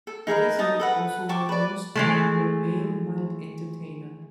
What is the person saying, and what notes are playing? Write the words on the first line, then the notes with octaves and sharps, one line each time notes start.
Vizard also won Most Popular Male Light Entertainer.
A4
D#4 G#4 A#4 B4
D#4 A#4 A5 D#6
A4 B4 F#5
G5 A5 C#6 D6
B4 D5
E3 G#3 A3